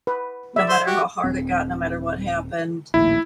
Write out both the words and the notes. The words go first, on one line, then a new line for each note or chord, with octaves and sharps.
no matter how hard it got, no matter what happened,
B4
D5 E5
C5
F#4 G4
D#1 C4
A#1 D#2 A2 E4